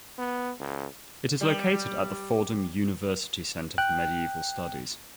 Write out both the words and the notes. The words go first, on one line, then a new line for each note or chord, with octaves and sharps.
It is located at the Fordham University Center for Medieval Studies.
B3
C#2
G3
G5 F#6